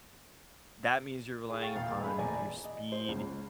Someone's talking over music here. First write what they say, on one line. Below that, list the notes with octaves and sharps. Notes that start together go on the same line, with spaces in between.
that means you're relying upon your speed,
E4 G#4
F5 G5 C#6 A6
E1 A#2 F5
G#3 A3 G#5 B5
E1 A#1 E3 D5 G#5 A#5
D#5
C5
C#2